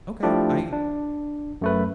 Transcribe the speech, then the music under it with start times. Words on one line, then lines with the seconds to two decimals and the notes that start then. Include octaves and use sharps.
okay. I
0.23 F3 A3 D4 E4 G4
0.73 D4
1.61 F#2 A3 B4